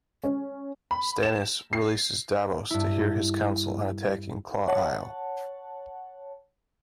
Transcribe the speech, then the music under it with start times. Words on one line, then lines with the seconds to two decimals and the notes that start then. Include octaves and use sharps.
Stannis releases Davos to hear his counsel on attacking Claw Isle.
0.24 C#4
0.91 B5
1.23 E7
1.73 C7
2.70 G2 E4
4.68 C#5 F#5 A5